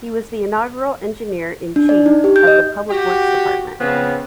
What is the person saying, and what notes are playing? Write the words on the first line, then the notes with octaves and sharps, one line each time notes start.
He was the inaugural Engineer in Chief of the Public Works Department.
D4
D5
D#4
G4
G6
D#5
F#4 G4
C#3 F3 B3 C4